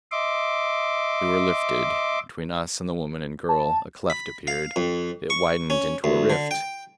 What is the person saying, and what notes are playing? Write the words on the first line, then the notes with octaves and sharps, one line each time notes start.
We were lifted; between us and the woman and girl a cleft appeared; it widened into a rift.
D#5 E5 C6 D6
A5
B5
F5
F2
C#6
C#4
D2
D3
G5